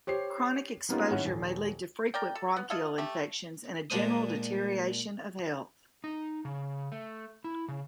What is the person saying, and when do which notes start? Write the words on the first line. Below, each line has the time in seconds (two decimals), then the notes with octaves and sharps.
Chronic exposure may lead to frequent bronchial infections and a general deterioration of health.
0.07 G4 C5 C#5 C7
0.89 G3 A#3 B3 C#4 D#4 F4
1.11 A2 D#3 C#4 C#5 F#5
1.25 D#1
2.14 A#4 D5 G5
2.35 A4
2.56 B3
2.70 E4 F4 A4 D#5
2.98 A3 G4
3.90 A#2 G#3 D4 C5 D#6
6.04 D#4
6.45 C#3
6.92 A3
7.44 E4
7.68 C#3